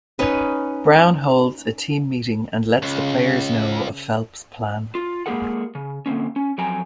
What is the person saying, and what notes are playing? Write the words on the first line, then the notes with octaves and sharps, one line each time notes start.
Brown holds a team meeting and lets the players know of Phelps' plan.
C#4 D#4 B4
C#2 C#3
F4
G#3 A#3 G4 G#4 A#4 F#5
C#3
D3 A#3 C4 C#4
C#4
F2 F#3 C4 G5 G#5 A#5